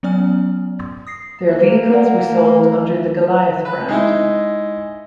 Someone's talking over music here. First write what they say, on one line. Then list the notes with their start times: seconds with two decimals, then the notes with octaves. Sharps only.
Their vehicles were sold under the Goliath brand.
0.03 F#3 B3 C#4 D5 G#5 F6
1.07 D#6 A#6 C7
1.49 A#3 C5 E5
1.93 A#4 D5 F#5
2.30 A3
2.98 E5
3.65 B4
3.88 G#3 D#4 E4